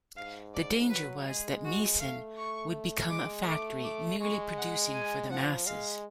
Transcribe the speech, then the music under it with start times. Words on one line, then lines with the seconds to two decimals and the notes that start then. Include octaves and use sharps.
The danger was that Meissen would become a factory merely producing for the masses.
0.16 G#2 F5
0.54 D5
0.90 F#3 B4
1.27 G#3 G#4
1.64 F#4
2.00 A3 F5
2.37 C#6
3.10 G#3 D6
3.46 A3 D6
3.84 D6
4.20 G#3 C#6
4.58 F#5
4.93 G#5
5.30 F3 F#5
5.66 G#3 F5